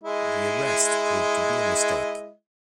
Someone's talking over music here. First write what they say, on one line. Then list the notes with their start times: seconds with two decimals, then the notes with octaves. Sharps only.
The arrest proved to be a mistake.
0.04 G#3 E4 D#5